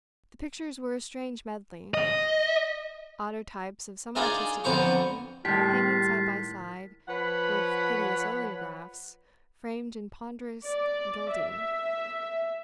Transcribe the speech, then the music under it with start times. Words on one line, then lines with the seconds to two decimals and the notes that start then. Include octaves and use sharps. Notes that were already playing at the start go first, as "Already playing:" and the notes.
The pictures were a strange medley--autotypes of some artistic value hanging side by side with hideous oleographs framed in ponderous gilding.
1.94 D#5
4.15 D4 D#4 F4 G#4 A#4 D#5
4.64 F2 D3 B3 C5 A#5 C#6
5.45 A2 D#3 G3 G#3 F4 G4 B6
7.08 F3 B4 C#5 F#5 B5
10.64 D5
11.31 E5